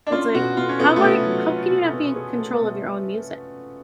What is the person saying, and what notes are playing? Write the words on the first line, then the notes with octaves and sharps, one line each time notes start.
It's like, how are how can you not be in control of your own music?
D4
C#4 F4
B2 F#4
B2 F4
C#4
B3 F4
A3
B3 F4
F#3
F4
B2
B2
G#4
A3
B2